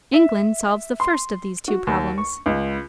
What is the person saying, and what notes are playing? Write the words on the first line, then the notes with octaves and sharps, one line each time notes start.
England solves the first of these two problems.
E5
C6
F#4
D#2
C#6
C#2